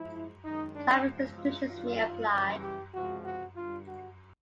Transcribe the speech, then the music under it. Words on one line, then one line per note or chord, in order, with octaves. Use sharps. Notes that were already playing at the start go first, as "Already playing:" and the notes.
Climbing restrictions may apply.
Already playing: G#2 F3 G#3 E4
F#2 D#3 G#3 D#4
D4
E2 C#3 F3 G#3
F4
G2 D#3 F#3 F4
F#2 C#3 E3 G3
G4
C#2 C3 F3 G#3 F#4
F#4
G2 D3 G3 F4
F#4